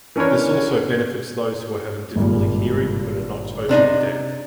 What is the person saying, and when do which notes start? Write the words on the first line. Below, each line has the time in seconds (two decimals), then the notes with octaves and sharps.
This also benefits those who are having difficulty hearing, but are not totally deaf.
0.16 E3 C#4 D4 A#4 C#5
2.16 G#1 G2 A#2
3.69 C3 D4 D#4